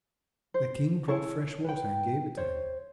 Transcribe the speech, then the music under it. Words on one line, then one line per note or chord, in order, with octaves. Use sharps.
The King brought fresh water and gave it to him.
C5
E4 G#4 C#5 A5
B4 G5
C5 C#5